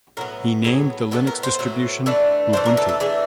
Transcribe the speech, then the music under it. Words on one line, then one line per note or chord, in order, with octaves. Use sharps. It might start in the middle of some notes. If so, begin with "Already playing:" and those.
He named the Linux distribution Ubuntu.
A2 F#3 B3 A#4
A2 F#3 B3 G#4
A2 F#3 B3 A4
A#4
C5
A2 F#3 B3
E3 A3 D4 B4
E3 A3 D4 C5
A#4
A4
A4
E3 A3 D4 G#4